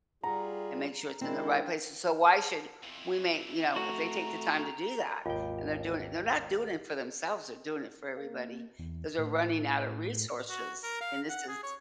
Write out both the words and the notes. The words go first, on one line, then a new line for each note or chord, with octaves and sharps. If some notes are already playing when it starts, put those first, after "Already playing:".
and make sure it's in the right place. S so why should we make, you know, if they take the time to do that, and they're doing it and they're not doing it for themselves, they're doing it for everybody 'cause they're running out of resources and this is
G3 F4 G#4 F#5 A#5
D#3 G#3 C4 D4 E4
F2 E3
A3 F#4 A#5
G#1 D#2 F4 G5
A#3
E2
A2
F#4
A#4
F5
F#5
G#4
C#5